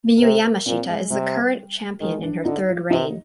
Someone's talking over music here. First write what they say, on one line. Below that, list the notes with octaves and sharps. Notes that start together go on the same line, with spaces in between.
Miyu Yamashita is the current champion in her third reign.
A#4
C3 C5
A#4
A#2 C4
G#3
C3 G3
D#3 G#3
D4
D3 D#4
F4
C3 D#4